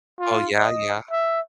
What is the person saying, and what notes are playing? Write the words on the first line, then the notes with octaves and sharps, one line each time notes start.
Oh, yeah, yeah.
F4
D#5
E5